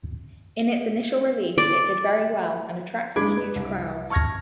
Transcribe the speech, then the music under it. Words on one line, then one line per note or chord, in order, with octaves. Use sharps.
In its initial release, it did very well and attracted huge crowds.
D5
G#3 D4 B5 D6 G#6 D7
B4
C2
A5 C#6 F6 G#6 A#6